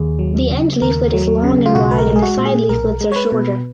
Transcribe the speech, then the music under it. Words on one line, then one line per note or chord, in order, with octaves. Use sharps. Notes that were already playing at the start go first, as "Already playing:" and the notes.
The end leaflet is long and wide and the side leaflets are shorter.
Already playing: D#2 G#4
F#3
C#3
D#2 A#4
F#3
C#3
F4
B1 F#4
B4
A#4
G#3
G#4
F#4
A#2
G#4
B1 A#4
G#3
C#5
B4
B2